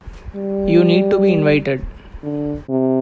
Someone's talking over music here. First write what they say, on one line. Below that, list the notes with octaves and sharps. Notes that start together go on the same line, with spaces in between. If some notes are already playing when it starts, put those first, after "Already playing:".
You need to be invited.
G3
D3
C3